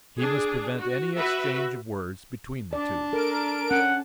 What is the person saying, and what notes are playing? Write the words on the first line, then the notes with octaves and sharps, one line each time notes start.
He must prevent any exchange of words between the two.
D4 G#4
F#4
F#4 B4 E5
D4 D5 A5
A4 A#4 D7
C#4 F#5